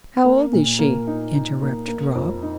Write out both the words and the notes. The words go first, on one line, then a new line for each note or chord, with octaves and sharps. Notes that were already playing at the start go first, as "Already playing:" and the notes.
"How old is she?" interrupted Rob.
A#3
A#2
A#3
D#4
D#4
A#3
A#3
F2
D#4